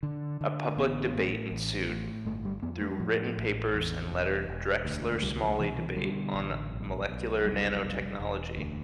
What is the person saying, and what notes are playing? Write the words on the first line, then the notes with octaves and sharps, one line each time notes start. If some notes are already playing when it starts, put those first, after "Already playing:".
A public debate ensued through written papers and letters Drexler-Smalley debate on molecular nanotechnology.
D3
D3
A1 B3
A2
A1
A2
G1 A3
G3
F2 B3
A3
G3
A2 F3
A1
E2
E1
E1
D2
C2 G3
F3
B2 E3
E3
D3 G3
A1
B1
B1
F1 G3
F1
E1
D2